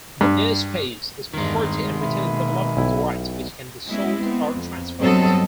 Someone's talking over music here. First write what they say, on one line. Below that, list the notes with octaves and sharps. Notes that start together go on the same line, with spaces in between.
The Airspace is property and retains Developmental rights which can be sold or transferred.
G2
E2 G2 D#3 G#3
B2 A#3 E5 G#5 B5
B1 E4
G#3 B3 C#4 E4
B3 C4
F2
G2 F#3 B3 C4 A4 D#5